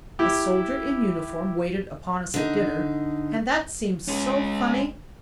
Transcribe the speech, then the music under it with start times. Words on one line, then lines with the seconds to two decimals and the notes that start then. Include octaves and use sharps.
A soldier in uniform waited upon us at dinner, and that seemed so funny.
0.19 E4 G4
2.34 D3 D#4
4.08 G#3 C#4